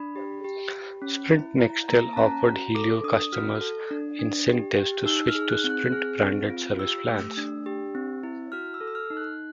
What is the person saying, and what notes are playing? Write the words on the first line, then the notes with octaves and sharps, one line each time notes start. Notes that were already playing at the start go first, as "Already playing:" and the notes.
Sprint Nextel offered Helio customers incentives to switch to Sprint-branded service plans.
Already playing: D4 B5
G4
G4
G4
C#4
E4
E4 A#5
A#3 A#5
A5
C#4 A#5
F#4 A#5
A4 D6
D4 D#6
F#4 F6
A4
D4
D4
G4
G4
D#4 E6
F6
G#4
F#6
C4
F#6
G#4 F6
C4
F4
G4 E6
A3
D4
G4
C4
E4
F#4 F6
E6
A4
E6
F6
D#4
F#6